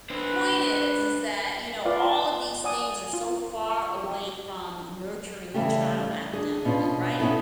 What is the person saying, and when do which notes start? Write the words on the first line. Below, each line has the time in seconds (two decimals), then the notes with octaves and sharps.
The point is, is that, you know, all of these things are so far away from nurturing the child academically, right?
0.10 D4 B4 C5
1.85 F4 B4 D5 F5
2.00 A5 A#5 C6
2.64 D5 F#5 G#5 D#6
3.13 F4
3.70 C#6
4.04 G4
5.54 C#3 E3 G3 A3 G4
6.03 G3
6.33 D4 G#4
6.65 B2 C#4 D4 F4
7.19 B3 C#4 D#4 E4 A4